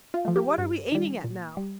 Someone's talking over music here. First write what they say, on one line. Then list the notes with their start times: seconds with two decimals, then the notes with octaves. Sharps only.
For what are we aiming at now?
0.14 F4
0.25 F3 A3
0.36 G4
0.58 G2
0.92 D#3 G3
1.24 A#2
1.57 G3